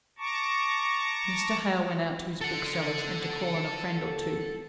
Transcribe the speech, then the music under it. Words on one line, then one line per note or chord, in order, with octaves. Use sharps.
Mr. Hale went out to his bookseller's, and to call on a friend or two.
A5 A#5 C#6 D6
A4 F#5